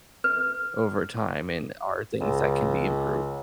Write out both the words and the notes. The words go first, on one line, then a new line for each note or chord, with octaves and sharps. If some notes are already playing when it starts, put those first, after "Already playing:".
over time and are things that can be improved
B4
C#2